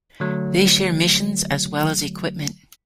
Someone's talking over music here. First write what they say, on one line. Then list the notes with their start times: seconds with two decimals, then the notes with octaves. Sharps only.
They share missions as well as equipment.
0.20 D3 F#3 A3